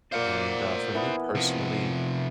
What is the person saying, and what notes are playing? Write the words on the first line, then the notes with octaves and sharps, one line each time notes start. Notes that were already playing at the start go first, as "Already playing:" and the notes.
and, uh, for me personally,
A#2 C5 D5 F5 F#5
E3 B3
C3 F3